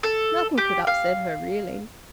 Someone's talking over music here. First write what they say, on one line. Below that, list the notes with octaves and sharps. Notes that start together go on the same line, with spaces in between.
Nothing could upset her, really.
A4
G4
F5